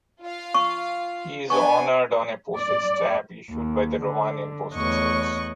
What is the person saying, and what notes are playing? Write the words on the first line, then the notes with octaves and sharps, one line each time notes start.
He is honored on a postage stamp issued by the Romanian Postal Service.
F4 F5
C#6
B3 D4 G#5 C#6
D5
D#2
D3
E2 A3 C#5 D#5 C#6 F#6